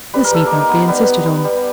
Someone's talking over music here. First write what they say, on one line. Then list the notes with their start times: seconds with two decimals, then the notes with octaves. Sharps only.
This need not be insisted on.
0.14 G3 B4
0.24 A#4
0.32 G3 A4
0.46 A#3 D#4 A#4
0.69 B3
0.88 G3 B3 B4
1.07 B3
1.26 B3
1.44 G3